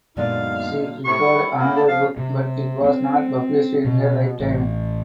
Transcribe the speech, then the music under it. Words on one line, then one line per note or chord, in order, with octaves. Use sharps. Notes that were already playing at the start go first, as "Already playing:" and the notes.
She prepared another book but it was not published in her lifetime.
F#2 A#2 D3 F#3 G#3 B3 D#4 F5
A2 C3 C#6
G3 E4
A#3 B3 E4 A#4
A5
F3 F5
C3
C4
B2
A1